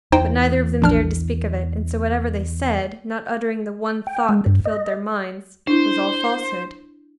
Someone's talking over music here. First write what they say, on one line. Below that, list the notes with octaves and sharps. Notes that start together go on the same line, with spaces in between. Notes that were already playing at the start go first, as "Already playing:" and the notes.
But neither of them dared to speak of it, and so whatever they said--not uttering the one thought that filled their minds--was all falsehood.
E2 E3 D#4 C5 G5
A#1 D4 F6
G5
G#3
G2
D#5
D4 E4 C5